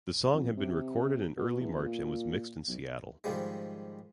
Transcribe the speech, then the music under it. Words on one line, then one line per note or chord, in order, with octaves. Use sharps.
The song had been recorded in early March and was mixed in Seattle.
F2
C3
B2
E2
A#2
B1
G#2 D#3 F3 G3 G#3